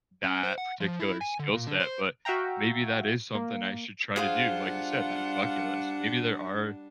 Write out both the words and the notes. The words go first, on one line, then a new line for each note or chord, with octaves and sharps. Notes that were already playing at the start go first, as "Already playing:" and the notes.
that particular skill set, but maybe that is something I should try to do, like you said, that bucket list, maybe there are
C#4
C5
F#5
F3
E4
G#5
D3
A#2
D3
C5
F#4 E5 F5 G5 A#5
A#3
G3 D4 F4 G#4 C5 F5 F#5